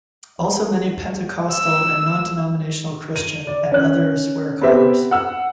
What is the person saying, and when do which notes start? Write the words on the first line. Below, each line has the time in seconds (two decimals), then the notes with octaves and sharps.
Also many Pentecostal and non-denominational Christian, and others wear collars.
1.54 E6
3.16 D#7
3.47 D5
3.72 C#4 F#6
4.61 B3 C4 G4 E5
5.11 F#5 E6